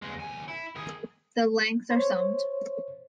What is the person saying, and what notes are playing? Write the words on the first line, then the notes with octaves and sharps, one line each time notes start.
The lengths are summed.
E2 G#3
D#2 G#5
E4
D#3 G#4
C5 C#5